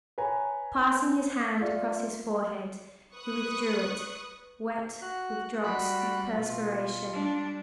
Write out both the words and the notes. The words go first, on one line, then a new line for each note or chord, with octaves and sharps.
Passing his hand across his forehead he withdrew it, wet with drops of perspiration.
B4 C#5 G#5 A#5
F4 D5 E5
B4 C#6 D#6 F#6
F#4 F#6
G3 F#4 B5 F#6
B2 F4
G3 D4